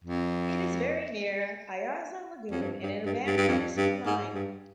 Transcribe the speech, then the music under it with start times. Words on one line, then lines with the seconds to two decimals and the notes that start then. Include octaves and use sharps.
It is very near Ayarza Lagoon and an abandoned bismuth mine.
0.04 F2
2.51 F2
2.62 G2
2.83 G2
3.05 G2
3.26 G2
3.37 G2
3.48 F2
3.77 G2
4.06 G#2
4.34 G2